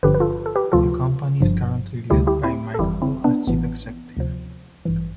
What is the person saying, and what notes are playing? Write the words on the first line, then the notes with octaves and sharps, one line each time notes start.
The company is currently led by Mike Hall as Chief Executive.
G1 G2 D3 F3 G4 B4
B4
F4 A4
A4
G4 B4
D2 C3 F3 F4 A4
G1 G2 F3
D2 D3 G3 E4 G4
E4 G4
C4 E4
A4
G1 F2 E3 G3 E4 G4
C4 E4
B3 D4
A1 A2 E3 B3
D2 C3 F3
A1 G2 E3